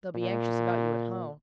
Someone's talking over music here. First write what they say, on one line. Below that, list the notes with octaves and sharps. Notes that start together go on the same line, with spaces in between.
They'll be anxious about you at home.
A#2